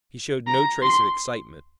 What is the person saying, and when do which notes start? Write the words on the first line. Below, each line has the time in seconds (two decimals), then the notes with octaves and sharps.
He showed no trace of excitement.
0.47 A#5
0.82 C6